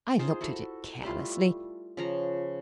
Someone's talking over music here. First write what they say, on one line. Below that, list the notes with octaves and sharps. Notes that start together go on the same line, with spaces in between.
I looked at it carelessly.
D#4 F4 G#4 C5
E4 F#4 A4
G3 A3 E4 F4
C#3 F3 A#5